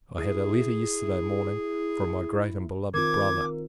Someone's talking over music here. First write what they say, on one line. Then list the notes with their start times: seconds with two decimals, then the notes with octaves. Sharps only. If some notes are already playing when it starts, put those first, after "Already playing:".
I had a letter, yesterday morning, from my great and beloved Brother.
0.18 E4 G#4
2.94 D#3 C4 F4 A#4 D6 G#6